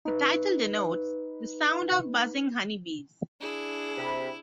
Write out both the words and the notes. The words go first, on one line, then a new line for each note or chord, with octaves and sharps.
The title denotes the sound of buzzing honey bees.
D#4 B4
D4 E4 G#4
C3 B5